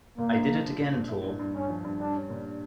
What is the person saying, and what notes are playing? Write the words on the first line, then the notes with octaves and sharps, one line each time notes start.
I Did It Again Tour.
A#2 A#3
A#1
F3
F3
A#1
A#2
E4
G2
G2
G2 C#4
F3
G2
G3 D4
C#4
A#2